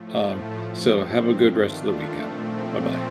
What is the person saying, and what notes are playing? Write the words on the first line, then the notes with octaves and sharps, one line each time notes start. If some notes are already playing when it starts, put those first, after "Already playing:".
Um, so have a good rest of the weekend. Bye-bye.
Already playing: A2 F3 A3
G2 F3 C4
D#3 A3 D4 F4
A#2 F3 A3 C4